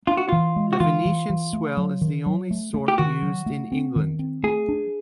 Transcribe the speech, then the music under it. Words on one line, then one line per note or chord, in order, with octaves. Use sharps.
The Venetian swell is the only sort used in England.
D4 F4
F#4
E3 F4
G#3
F#4
E3 F4
E3
E3
A3
F#3
D#3
F#3
A3
A3
G4
D#3 F#4
F#3
A3
C4
D#3
C4
A3 G#4
D4